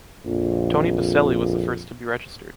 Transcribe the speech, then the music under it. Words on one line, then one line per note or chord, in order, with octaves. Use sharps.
Tony Boselli was the first to be registered.
A#1 F2